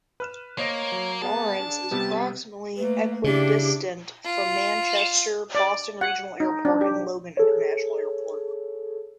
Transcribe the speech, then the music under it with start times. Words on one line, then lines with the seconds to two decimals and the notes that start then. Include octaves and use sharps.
Lawrence is approximately equidistant from Manchester-Boston Regional Airport and Logan International Airport.
0.20 B4 F6 E7
0.59 A#3 C5 C#5 D#5 A#6
0.92 F#3
1.22 B3 G#4 F5 A5
1.60 D4
1.91 C3 G3 B3 G4
2.77 A3 A#3 B4
3.24 C#3 D4 E4 G4
4.24 F4
5.55 D5
6.01 F#5
6.40 D#4
6.65 D4
6.81 G4
7.37 G#4 A4 C#5